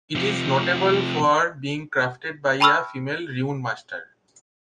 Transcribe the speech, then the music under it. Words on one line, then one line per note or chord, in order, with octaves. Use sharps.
It is notable for being crafted by a female runemaster.
C3 F3
G5 A5 B5 C#6 E6 F6